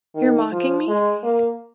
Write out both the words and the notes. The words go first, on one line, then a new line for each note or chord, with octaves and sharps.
You’re mocking me?
D#3
F3
G#3
A#3